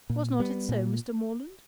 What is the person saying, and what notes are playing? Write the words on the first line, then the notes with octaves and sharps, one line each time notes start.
Was not it so, Mr. Morland?
A#2
G3 B3
A#2